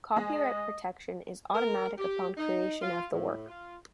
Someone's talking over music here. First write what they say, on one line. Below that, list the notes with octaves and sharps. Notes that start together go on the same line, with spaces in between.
Copyright protection is automatic upon creation of the work.
G#3 D#5
A#4
G4
D#4
F4
A2
F4